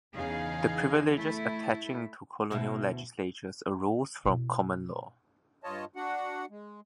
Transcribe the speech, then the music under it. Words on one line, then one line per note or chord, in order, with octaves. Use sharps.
The privileges attaching to colonial legislatures arose from common law.
E2 C#3 D#4 G#4 F5
A3 E4
D2 B2 E4
B2 E4
G2 F4 C#5 D#5 A5
D4 F#4 F#5
G#3